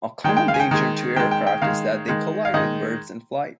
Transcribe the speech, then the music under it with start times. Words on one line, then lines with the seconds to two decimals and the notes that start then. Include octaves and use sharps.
A common danger to aircraft is that they collide with birds in flight.
0.24 D#3 G5
0.29 G#3
0.37 G5
0.48 F5
0.54 G#5
0.60 G5
0.71 D#3 G#3
1.16 D#3 G#3 G5
1.31 G5
1.47 G5
1.62 D#3 G#3 F5
2.08 D#3 G#3
2.45 F5
2.54 D#3 G#3 D#5